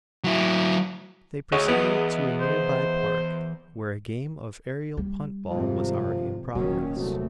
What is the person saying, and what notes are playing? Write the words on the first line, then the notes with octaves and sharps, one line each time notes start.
They proceeded to a near-by park, where a game of aerial punt-ball was already in progress.
F#3 E4
D2 G#4 C#5 D#5 F#5
E2 B3
C5
G3
G#1 F2 C3 F3
D#1 A#2 D#3 F#3 C#4
C2 F#3 A3